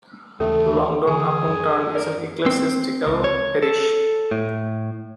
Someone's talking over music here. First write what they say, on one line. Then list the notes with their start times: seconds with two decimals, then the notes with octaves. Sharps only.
Longdon-Upon-Tern is an ecclesiastical parish.
0.40 D#2 C#3 E3 A3 C#4 A4
1.07 D2 D3 E3 G#4 G#5
1.47 F#2
1.95 A#4 D5
2.46 C4
3.07 C#2
3.24 C#5
3.62 A4
4.31 A2